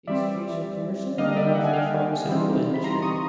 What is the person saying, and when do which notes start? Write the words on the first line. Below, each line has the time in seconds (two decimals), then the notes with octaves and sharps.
These trees are commercially grown for the pharmaceutical industry.
0.07 E3 G3 C4 D5 E5
1.18 D3 G3 A#3 D4 D#5 F5
1.31 D#5
1.36 D5 E5
1.47 G5
1.55 E5 F#5
1.64 G#5
1.73 F5 G5
2.29 E3 G3 C4 D#4
2.74 B5
2.84 A#5 C6
3.02 C#6 D#6